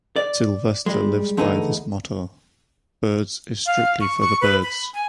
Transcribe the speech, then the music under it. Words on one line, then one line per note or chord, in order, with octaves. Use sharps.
Sylvester lives by this motto: Birds is strictly for the birds!
D5
G3 G#3
E2 D3 A3 B3 D#4
F5
C#6
C#6
B4
B5
G#5